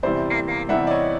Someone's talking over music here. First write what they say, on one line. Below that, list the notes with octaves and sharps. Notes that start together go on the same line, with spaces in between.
And then
E2 C3 E3 G3 C5 D5
E2 C3 E3 G3 E5 F#5
D5
C#5 D#5